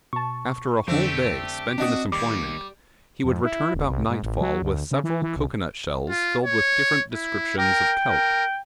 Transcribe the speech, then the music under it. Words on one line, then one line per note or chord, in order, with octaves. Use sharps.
After a whole day spent in this employment, he would return about nightfall with several cocoanut shells filled with different descriptions of kelp.
B2 A5 C#6
F2 D3 A3 C4 D4 G4
C4 D4 F#4 D#5 D#6
D#2 G3 D6
F2
E4
D#1
C2
G#2
A1
F#3
D2
C#3
E3
E3
C2
F4
C#5
E4
A#4 G5
A#4